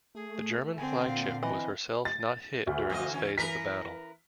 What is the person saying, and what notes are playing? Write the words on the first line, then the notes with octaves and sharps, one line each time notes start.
The German flagship was herself not hit during this phase of the battle.
A3 G#4
D3 C4 G#5
A#2 F5
E3 D#5
A6
D2
F2 D#4 D#5
E3 C#4
E3 A#4 B4 B6